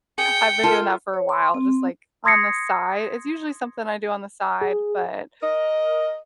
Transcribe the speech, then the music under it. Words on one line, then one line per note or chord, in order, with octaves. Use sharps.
I've been doing that for a while just like on the side. It's usually something I do on the side, but
G#4 G5 C#7
F4 A4 A#4 E5 A5
C#5
C6
C4
C6 D#6 G#6 A#6 C7 C#7
G#4
A#4 D#5